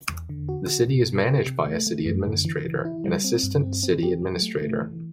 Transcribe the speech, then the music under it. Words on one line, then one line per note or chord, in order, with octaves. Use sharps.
The city is managed by a city administrator and assistant city administrator.
E2
D3
F#4
F#4
B2
B2
G4
C3
A3
A3
F#2
D3
E3
E3
E4
G3
C4
G2
C4
C4
G4
F#3
A3
A3
E3